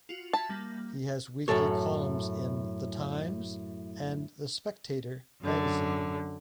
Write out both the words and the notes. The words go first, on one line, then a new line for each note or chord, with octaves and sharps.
He has weekly columns in "The Times" and "The Spectator" magazine.
F4 F#4
E5 A5 G#6 B6
G3 A#3
F#2 A2 E3 A4 C#5
F#2 D3